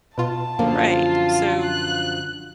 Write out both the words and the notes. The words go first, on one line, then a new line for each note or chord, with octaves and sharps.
Right, so
B2 F4 A5
F#2 D3 F3 A#3 F4
F#6